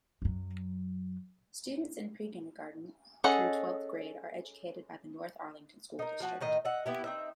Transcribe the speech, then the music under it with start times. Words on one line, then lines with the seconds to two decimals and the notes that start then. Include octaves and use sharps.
Students in pre-kindergarten through twelfth grade are educated by the North Arlington School District.
0.22 F#2 F#3
3.24 C#4 G#4 A4 D#5 F#5
5.99 D#4 A#4
6.20 F3 F#4 A5
6.41 A2 D#3 D#5
6.65 D#5 E5 F#5
6.86 B3 E4 G4
7.04 C4 D#4 E5